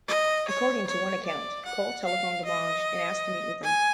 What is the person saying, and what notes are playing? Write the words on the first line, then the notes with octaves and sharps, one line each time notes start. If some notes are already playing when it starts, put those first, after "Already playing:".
According to one account, Coll telephoned DeMange and asked to meet with him.
D#5
C#5
C#5
D5
F#5
F5
D#5
G#5